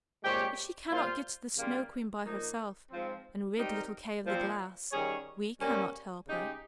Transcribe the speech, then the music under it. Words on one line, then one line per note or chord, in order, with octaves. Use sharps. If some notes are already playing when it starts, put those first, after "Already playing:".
If she cannot get to the Snow Queen by herself, and rid little Kay of the glass, we cannot help her.
A#2 G#3 C4 G4 C#5
A#2 G3 A#3 F4 C5
C#3 G3 A#3 F4
A#2 F3 A#3 D#4
G#2 F3 C4
G3 C4 D#4 G4 A#4
A#2 F3 C4
D#3 G3 C#4 G#4 C#5
G2 G3 A#3 C#4
C#3 G#3 D#4 G4